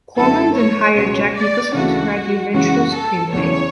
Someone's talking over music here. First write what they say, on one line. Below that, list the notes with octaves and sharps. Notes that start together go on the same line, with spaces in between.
Corman then hired Jack Nicholson to write the eventual screenplay.
F#2 D3 A3 E4 A4
C#5
C#2 B2 G#3 B3 C#5
D5
D2 C#3 E3 A3 F#4
F#2 C#3 E3 G#3 C#4 F#4
A4
E2 C#3 E3 C#5